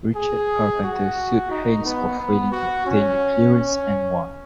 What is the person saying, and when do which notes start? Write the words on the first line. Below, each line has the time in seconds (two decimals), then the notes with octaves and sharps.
Richard Carpenter sued Haynes for failing to obtain the clearances and won.
0.15 G#4
0.84 F#4
1.51 D#4
1.85 B3
2.19 B3
2.52 F#4
2.86 C#4
3.54 C#4